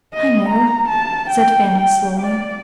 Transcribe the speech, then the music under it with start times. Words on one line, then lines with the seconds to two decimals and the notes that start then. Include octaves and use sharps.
"I know," said Fanny slowly.
0.14 D#5
0.49 A#5
0.89 A5
1.31 G5
1.75 G5
2.21 D5